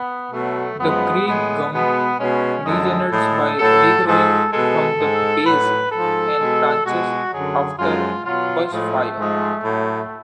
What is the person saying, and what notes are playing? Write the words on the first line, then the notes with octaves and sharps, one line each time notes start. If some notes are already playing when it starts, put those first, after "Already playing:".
The grey gum regenerates by regrowing from the base and branches after bushfire.
Already playing: B3
B2 F#3 A3
F#2 F3 G#3 B3
A2 G#3 B3
B2 G#3 B3
B2 G#3 C#4
F#2 D3 G#3 A4
A2 G#3
A2 F#3 A4
G#2 F3 G#3 A4
B2 G#3 A4
G#2 G#3
A2 F#3 B4
G#2 F3 G#3 A4
B2 G#3
B2 G#3 F#4
F#2 D3 F#3 G#4
F#2 F3 G#3 F4
B2 F#3 F4
A2 F3 G#3 A3
G#2 F3 G#3
A2 F#3